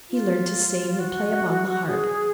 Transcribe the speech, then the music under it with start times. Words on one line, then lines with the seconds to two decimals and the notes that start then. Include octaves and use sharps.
He learned to sing, and play upon the harp.
0.10 F4
1.00 F#4
1.89 G#4